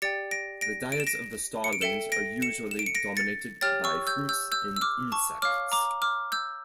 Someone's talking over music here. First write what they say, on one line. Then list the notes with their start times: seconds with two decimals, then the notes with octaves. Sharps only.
The diets of the starlings are usually dominated by fruits and insects.
0.02 G4 D5 G5 A6 C#7
0.31 A#6 D7
0.61 A#6 D7
0.92 D7
1.00 E7
1.07 A#6 D7
1.64 C#7
1.73 D7
1.81 A4 E5 G5 C#7 E7
2.12 A#6 D7
2.42 C#7 E7
2.71 E7
2.79 D7
2.86 C#7
2.95 A#6 D7
3.17 A6 C#7
3.61 G4 C#5 G5 F6 A6
3.84 C#6 E6
4.07 E6 G6
4.29 E6 G6
4.52 E6 G6
4.76 E6
4.81 D6 F6
5.12 A5 C#6
5.42 C#5 F5 D6 F6
5.72 A#5 D6
6.02 D6 F6
6.32 E6 G6